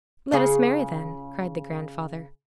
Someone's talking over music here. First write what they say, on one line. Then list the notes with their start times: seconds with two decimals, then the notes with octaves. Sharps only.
"Let us marry, then," cried the grandfather.
0.32 C#3 F4 G#4